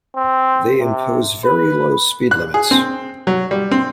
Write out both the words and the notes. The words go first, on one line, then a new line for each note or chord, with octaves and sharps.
They impose very low speed limits.
C4
C3
B4
F#6
G#4
C4
F#3
G3
C4